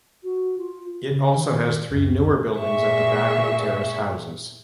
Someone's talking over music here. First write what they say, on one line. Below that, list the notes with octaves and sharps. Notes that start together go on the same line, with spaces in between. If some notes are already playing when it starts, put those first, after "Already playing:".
It also has three newer buildings at the back of the terraced houses.
F#4
F4
C#3
D#3
C#2 F#2
A#2 G#4 E5 C#6